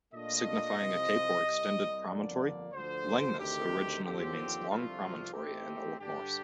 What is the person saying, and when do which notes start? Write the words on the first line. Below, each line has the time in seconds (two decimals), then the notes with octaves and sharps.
Signifying a cape or extended promontory, "Langness" literally means "long promontory" in Old Norse.
0.13 A#2 A3 D4 F4 D#5
0.78 C2 C3 F3 C4
1.43 C2 C3 G3
2.08 G1 F2 D3 F3 A#3 D5
2.73 D2 D3 F3 C5
3.38 D2 C3 D#3 G4
4.04 D#2 D3 F3 C4 G4
4.68 C2 C3 F3 A3 D4 F4
5.34 A1 A2 A3 C4 D#4 G4
5.99 G2 D3 G3 D4 G4